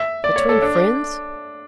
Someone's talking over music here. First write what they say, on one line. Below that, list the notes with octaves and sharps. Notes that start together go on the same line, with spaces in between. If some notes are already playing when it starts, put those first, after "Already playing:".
Between friends?
Already playing: E5
D5
C#5
A4
D4